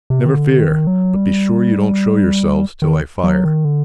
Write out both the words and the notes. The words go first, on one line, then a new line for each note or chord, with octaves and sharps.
"Never fear! but be sure you don't show yourselves till I fire."
C3
D#3
D3
D#3
F#3
G3
D#3
F#3
D#3
D3